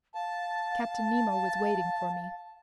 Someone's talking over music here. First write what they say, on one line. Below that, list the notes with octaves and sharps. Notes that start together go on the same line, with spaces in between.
Captain Nemo was waiting for me.
F5 A5